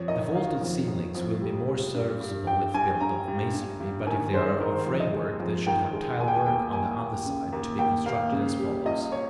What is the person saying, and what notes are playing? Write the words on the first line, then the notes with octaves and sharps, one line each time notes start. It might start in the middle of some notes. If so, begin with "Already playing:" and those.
The vaulted ceilings will be more serviceable if built of masonry; but if they are of framework, they should have tile work on the under side, to be constructed as follows.
Already playing: F2 C#5
D#3 D#5
D#3 F5
F2
F2
F2
G3
G3
G2
G2
G2 G5
G2 G#5
G2 A#5
G2
G2
G2
D#3 G#5
G#3 C5
D#3 A#4
C5
F2
D#5
G#3
F2
D#3 G5
G#3
D#2 G#5
G5
G#5
D#2 G5
D#2 G#5
D#2
C#3
D#2
D#2 G5
D#2 F5
C#3
G3
C#2 D#5
C#5